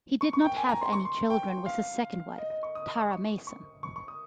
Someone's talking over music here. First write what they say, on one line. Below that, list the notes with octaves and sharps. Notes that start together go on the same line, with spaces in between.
He did not have any children with his second wife, Tara Mason.
C#6
C#6
G5
G#5
A#5
C6
C#6
C6
G5
F5
D#5
D#5
C#6
D#6
D#6
C#6
C#6
C#6
C#6
C#6
D#6